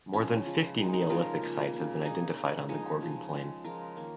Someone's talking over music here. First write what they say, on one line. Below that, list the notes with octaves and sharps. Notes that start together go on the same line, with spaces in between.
More than fifty Neolithic sites have been identified on the Gorgan Plain.
C#3 F3 G#3 C#4
C#3 F3 G#3
C#3 F3 G#3 D#4
D#4
C#3 F3 G#3 F4 A#4
C#3 A#3
C#3 A#3
C#3 A#3 D#4 G#4
C#3 A#3
C#3 F3 G#3 D#4 G#4
C#3 F3 G#3
C#3 F3 G#3
C#3 F3 G#3 F4 A#4
D#3 A#3